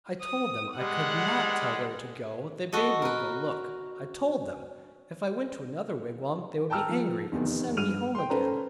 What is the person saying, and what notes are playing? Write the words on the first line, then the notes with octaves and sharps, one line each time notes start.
I told them, I could not tell where to go, they bade me go look; I told them, if I went to another wigwam they would be angry, and send me home again.
D#6
G3 G#3 F#5
B3 F#4 A4 D#5
A#4 B4
G5 A5 A#5 E6 F6
F3
F1 E2 D#3
G2 F6 D#7 F7
G5 C6
C#4 A4 B4 C5 A#5